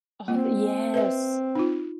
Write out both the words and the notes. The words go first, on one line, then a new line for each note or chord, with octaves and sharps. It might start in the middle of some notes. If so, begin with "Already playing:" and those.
Oh yes.
A#3 C4 F4
B4 D#5 E5
D#4 F4